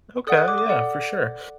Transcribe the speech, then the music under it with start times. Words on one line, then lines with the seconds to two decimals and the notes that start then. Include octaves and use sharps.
Okay, yeah, for sure.
0.27 A4 D5 F#5 D#6
0.37 F#6
0.48 D6
0.58 D6
0.68 A4 D5 F#5